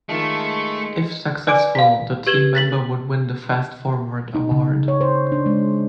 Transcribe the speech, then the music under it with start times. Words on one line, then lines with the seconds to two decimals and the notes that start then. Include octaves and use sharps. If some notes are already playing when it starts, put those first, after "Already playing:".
If successful, the team member would win the Fast Forward award.
0.09 D#3 F3 G#3 A3 C#7
1.47 B4 D5 G#5 D6 D7
1.75 F5 B6
2.27 G4 B4 G#6 E7 F#7 G7
2.55 A6 B6 F#7
4.35 D#4
4.51 C#3
4.88 C#5
5.01 C5
5.32 D4
5.46 G#3